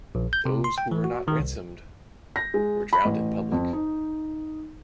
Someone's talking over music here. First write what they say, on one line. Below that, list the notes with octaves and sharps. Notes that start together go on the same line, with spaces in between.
Those who were not ransomed were drowned in public.
A#1
G6
C3
C6
G5
E3
F#4
D#3
C2
A#6
G#3
B5
A1
F2
D#4